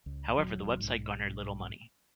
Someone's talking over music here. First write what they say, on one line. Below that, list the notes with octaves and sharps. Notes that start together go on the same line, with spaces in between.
However, the website garnered little money.
C#2
D#1 C2 F#3
B1 G#2